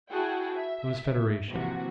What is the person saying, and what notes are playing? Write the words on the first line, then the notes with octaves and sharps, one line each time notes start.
It was Federation.
E4 F#4 G#4 F#5 G5 A5
E5
C3 E3 F3 A#3 F#4